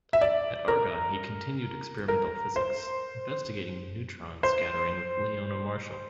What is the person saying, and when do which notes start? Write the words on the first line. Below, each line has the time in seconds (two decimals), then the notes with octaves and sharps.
At Argonne he continued experimental physics, investigating neutron scattering with Leona Marshall.
0.13 E5
0.21 D5
0.68 A#4
2.08 A#4
2.56 C5
4.43 C5